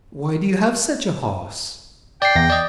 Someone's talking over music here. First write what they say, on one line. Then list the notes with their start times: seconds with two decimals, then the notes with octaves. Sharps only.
"Why do you have such a horse?"
2.22 D5 G5 C7
2.36 E2 A#6
2.50 D5 D#5